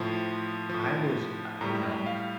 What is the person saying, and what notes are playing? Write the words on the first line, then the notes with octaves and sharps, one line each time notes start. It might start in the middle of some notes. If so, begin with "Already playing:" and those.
e I was, uh, you know,
Already playing: A2 F3 C6
A2 F3
A2 G3 A#5
F5